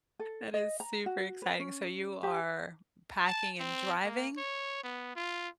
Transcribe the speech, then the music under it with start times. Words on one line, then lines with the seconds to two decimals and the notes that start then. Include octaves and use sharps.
That is super exciting, so you are packing and driving?
0.19 A4
0.54 D#5
0.80 A#5
1.06 F#4
1.42 B4
1.60 C#4
2.23 G4
3.27 A5
3.60 C4
4.04 A#3
4.37 C#5
4.83 B3
5.16 F4